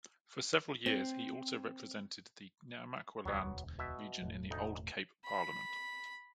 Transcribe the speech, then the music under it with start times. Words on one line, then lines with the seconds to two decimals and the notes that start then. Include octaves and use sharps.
For several years he also represented the Namaqualand region in the old Cape Parliament.
0.86 C4
3.25 E1 D2 F#3 B3
3.79 B2 E5
4.22 E1 A2
4.51 D2 D#4
5.25 B5